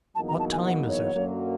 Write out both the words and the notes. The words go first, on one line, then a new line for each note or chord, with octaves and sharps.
"What time is it?"
E2 B2 F#3 A#3 D#4 A5
A#5
A5
G#5
F#5
C#5
F#2 D3 F#3 A#3